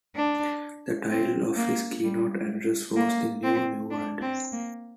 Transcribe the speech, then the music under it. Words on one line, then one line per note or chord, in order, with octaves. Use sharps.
The title of his keynote address was The New New World.
D4
C4
A#3
G3
A#3
C4
D4
C4
A#3